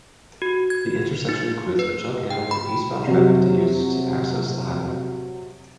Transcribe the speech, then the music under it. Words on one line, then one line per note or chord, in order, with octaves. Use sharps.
The intersection includes a jughandle for eastbound traffic to use to access the highway.
F#4
G#6
D#4
B4
G5
B5
C3 F#3